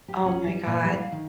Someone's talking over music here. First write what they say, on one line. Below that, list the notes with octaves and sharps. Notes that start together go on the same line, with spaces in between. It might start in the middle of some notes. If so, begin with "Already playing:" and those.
Oh my god.
G4
C#4
G3
A#2
G3
F5
D#3